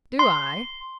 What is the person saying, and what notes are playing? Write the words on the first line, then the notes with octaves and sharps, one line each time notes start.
"Do I?"
C6